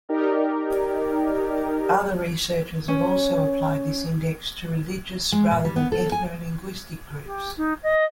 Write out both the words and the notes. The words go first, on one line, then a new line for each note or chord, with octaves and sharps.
Other researchers have also applied this index to religious rather than ethno-linguistic groups.
D#4 G4 A#4 D5
C#4
G#3
A#2
G3
B3
A4
G#5
G4
D#4
D#5